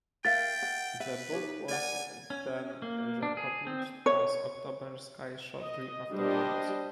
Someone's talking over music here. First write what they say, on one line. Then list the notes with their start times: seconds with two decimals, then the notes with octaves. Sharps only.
The book was then re-published as "October Sky" shortly afterwards.
0.25 A#4 E5 F5 G5 A6
0.63 F#5
1.00 B4 E5
1.32 D#4 G4 C#5
1.69 A#4 D5 F#5 G#5
2.30 C#4
2.82 A#3
3.23 D4
3.37 G#4
3.67 C4
4.06 C#5
5.60 D#5
6.12 G3 D4 C5 D#5